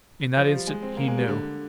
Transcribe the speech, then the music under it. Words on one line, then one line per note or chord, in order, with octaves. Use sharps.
In that instant he knew.
F3
G3
G#3
C4
A#3
G#3
G3
D3